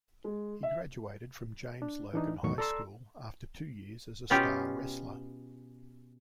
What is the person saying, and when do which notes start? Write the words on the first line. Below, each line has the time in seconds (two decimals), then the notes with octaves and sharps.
He graduated from James Logan High School after two years as a star wrestler.
0.24 G#3
0.63 E5
1.82 D4
2.14 E3 D4 D#4
2.43 E2 A2 D#3 F#3 C#6
2.58 A4 D5 A#5 C6 E6
4.30 B2 B3 C#4 F4 G4